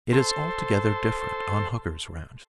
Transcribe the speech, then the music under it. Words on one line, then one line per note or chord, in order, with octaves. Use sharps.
It is altogether different on Hooker's ranch.
A4 C5